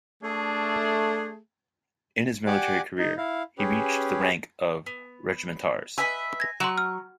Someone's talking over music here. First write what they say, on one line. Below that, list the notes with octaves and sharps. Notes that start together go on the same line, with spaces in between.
In his military career, he reached the rank of regimentarz.
A3 D4 G#4
G4 D5 F#5 G#5 D6
D#4
E4 F5
C#4 G4 G#4 B4
B3
B4 D#5 E5 G#5
G#6 A#6
F#3 C6 C#6 E7
F6